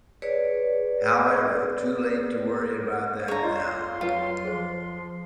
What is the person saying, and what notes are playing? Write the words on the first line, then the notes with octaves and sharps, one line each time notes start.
However, too late to worry about that now.
G#4 B4 C#5 D5
D4 G#4 C#5 A#5
F2 F4 D5 D#5 F5 C6 C#6
F#3 F4 B4 G5
F3 G#4 C5